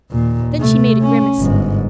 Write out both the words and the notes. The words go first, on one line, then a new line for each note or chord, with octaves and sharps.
Then she made a grimace.
D#2 A#2
C3 A3
C#4
G1 G#2